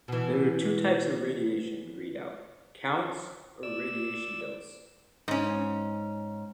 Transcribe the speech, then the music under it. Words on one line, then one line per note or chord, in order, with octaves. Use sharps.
There are two types of radiation readout: counts or radiation dose.
B2 E3
D5 E6
G#2 C#4